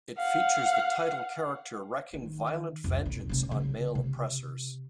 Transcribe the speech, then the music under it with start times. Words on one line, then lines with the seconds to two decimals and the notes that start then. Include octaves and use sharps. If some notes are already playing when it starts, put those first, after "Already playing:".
It features the title character wreaking violent vengeance on male oppressors.
0.18 F5 F#5
2.14 D#3
2.84 C2 F2
3.06 B1
3.29 C3 C#4
3.51 C#3
3.95 C3